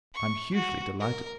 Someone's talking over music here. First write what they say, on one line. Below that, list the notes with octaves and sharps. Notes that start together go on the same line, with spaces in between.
I am hugely delighted.
C#6
F#4
A#4